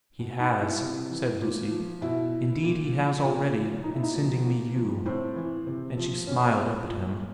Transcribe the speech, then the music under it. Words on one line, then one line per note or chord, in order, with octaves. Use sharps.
'He has,' said Lucy. 'Indeed He has already, in sending me you.' And she smiled up at him.
B2
D#4
E4
C3
E3
A#2
F3
B2 E4
A#2
F3
A#2
F3
A#2 D#4
E4
D#4
F3
A#2
F3
A2 C4
E3
C3
F3
B2 C#4
A#2